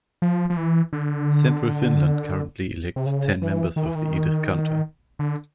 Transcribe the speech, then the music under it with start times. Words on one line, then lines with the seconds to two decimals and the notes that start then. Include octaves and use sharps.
Central Finland currently elects ten members of the "Eduskunta".
0.22 F3
0.50 F3
0.57 E3
0.93 D3
2.96 C3
3.06 C#3
3.42 E3
3.76 D#3
3.86 E3
3.95 D#3
5.19 D3